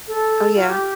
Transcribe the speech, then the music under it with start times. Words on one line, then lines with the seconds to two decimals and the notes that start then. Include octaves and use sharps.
Oh yeah.
0.08 A4
0.55 F4
0.67 G4